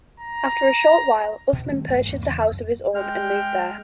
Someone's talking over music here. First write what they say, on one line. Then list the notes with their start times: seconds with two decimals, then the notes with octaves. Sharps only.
After a short while, Uthman purchased a house of his own and moved there.
0.20 A#5
1.53 B2
1.69 D#3 G3 A3 C4
1.88 G#1 G2 G#3 A3
2.09 E2 G#2 A#3
2.26 E2 C#3 E3
2.52 F#2
2.95 G#3 G5 F6